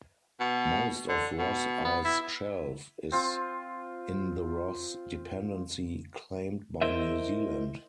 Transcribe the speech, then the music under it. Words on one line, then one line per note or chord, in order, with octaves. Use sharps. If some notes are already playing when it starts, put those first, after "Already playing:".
Most of Ross Ice Shelf is in the Ross Dependency claimed by New Zealand.
B2
D3
B2
B3
E4
C4 F4
E4 A#4 C5 D#5 E5